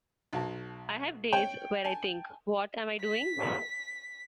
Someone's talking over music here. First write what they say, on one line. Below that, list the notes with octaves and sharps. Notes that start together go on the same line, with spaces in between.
I have days where I think, 'What am I doing?
B1 F#4 A5
C#5 G5
G#5 A5
B6